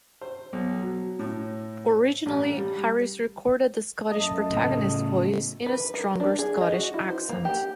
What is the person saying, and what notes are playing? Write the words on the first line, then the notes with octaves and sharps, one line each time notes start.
Originally, Harris recorded the Scottish protagonist's voice in a stronger Scottish accent.
C5
B1
F#3
A2
A1
G3
F#2 A3 D#5 A5
A2 C#3
B4
A#4
D4
G#4
D#5
F#4
E4
C5
A#3
G4